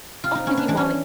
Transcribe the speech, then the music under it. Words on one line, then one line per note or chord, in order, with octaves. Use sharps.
Off with you, Molly.
C3 F4
D#4
B3 C#4
D4
E3 D4
C#4